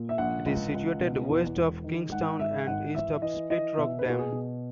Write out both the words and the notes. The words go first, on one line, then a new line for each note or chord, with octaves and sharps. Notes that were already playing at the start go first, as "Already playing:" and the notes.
It is situated west of Kingstown and east of Split Rock Dam.
Already playing: A#2
E5
A#1 F#5
C#2
C#2
B2
E2
E1
D#3
G#2 F#5
G#1 E5
G#1 F#5
E3 E5
E3 D#5
E3 D#5
B2 E5
B4
B2 F#4
G#4
B2